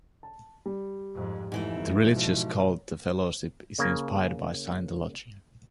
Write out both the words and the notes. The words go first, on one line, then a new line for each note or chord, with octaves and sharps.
The religious cult the Fellowship is inspired by Scientology.
A5
G3
F2 G#2
F2 G#2 E3 A3
B2 F3
C#3 A#3